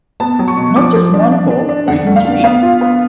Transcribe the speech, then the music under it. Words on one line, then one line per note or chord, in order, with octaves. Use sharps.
Not just one hole, or even three.
B3 A5
F#3
C#6
B2
F3 D6
F3
D4
D4
D4
D4
F2 F#5
A3
F5
D3
B3 F5
F4
B3